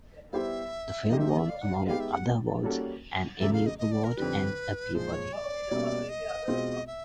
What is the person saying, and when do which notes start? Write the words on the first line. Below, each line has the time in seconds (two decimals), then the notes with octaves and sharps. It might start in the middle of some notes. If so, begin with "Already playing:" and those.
The film won, among other awards, an Emmy Award and a Peabody.
0.33 G3 B3 E4 G4 C5 E5 F5
1.10 C#3 F3 A#3 D#4 G4 D#5
1.19 E5
1.29 D#5
1.39 E5
1.49 F5
1.61 F#5
1.74 F5
1.86 G#3 B3 D#4 G4 F5
2.00 E5
2.13 F#5
2.63 G3 A#3 C#4 F#4 A4
3.40 E2 C#3 F#3 A3 E5
3.53 F5
3.66 D#5
3.78 D#5
3.92 D5
4.04 A#4
4.17 F2 D3 G3 B4
4.94 A#2 F3 G#3 C5
5.14 C#5
5.33 D5
5.71 B2 G3 A#3 C#4
6.09 D#5
6.48 B2 G#3 C4 F4
6.87 E5